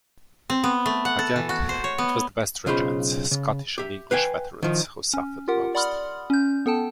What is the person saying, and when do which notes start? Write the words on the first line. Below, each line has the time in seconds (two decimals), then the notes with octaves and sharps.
Again, it was the best regiments, Scottish and English veterans, who suffered most.
0.50 C4
0.64 B3
0.86 A3
1.05 F#5
1.19 A4
1.36 E3
1.49 F#4
1.69 C5
1.84 C#5
1.98 B3
2.66 B1 C#3 F4 C5 F5 B5
3.31 C#3
3.78 G4 E5
4.11 B4 F5 G5 G#5
4.63 D#3 F3
5.14 C#4
5.48 F4 G4 A#4 F#5
5.75 D5 F#5 B5 C6 D#6 F6
6.30 C#4 G6
6.66 B3 A4 G5 A5